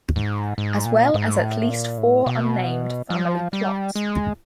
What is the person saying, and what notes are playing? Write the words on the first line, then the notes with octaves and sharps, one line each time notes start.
As well as at least four unnamed family plots.
G#2
G#2
A#2
G#2
A2
A#2
A2
B2
F3
G3
G#3